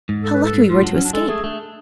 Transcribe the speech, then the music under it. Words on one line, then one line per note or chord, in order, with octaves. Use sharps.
How lucky we were to escape!'
G#2
A4
B4
A4
G#2
G#2 F4
F#3 D4
C#4
D4
G#3 A4
A3 G#4
A3 D4